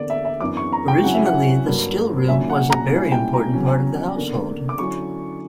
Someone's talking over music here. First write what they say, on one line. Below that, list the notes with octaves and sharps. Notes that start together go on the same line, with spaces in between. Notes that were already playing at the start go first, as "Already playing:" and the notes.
Originally, the still room was a very important part of the household.
Already playing: E2 D3 A#3 D5
E5
E5
F#2 E3 B3 D4 D6
C#6
A#5
G5
C#3 F#3 C#4 E4 F#5
E5
F#5
G2 F#3 A#3
A#2 F#3 C#4 E5
F#5
A#5
A#2 G3 C#4 E4
G5
A#5
E2 C#3 F#3 C#4
E2 D3 A#3 D4
D6
D3 F#3 C#4 E4 C#6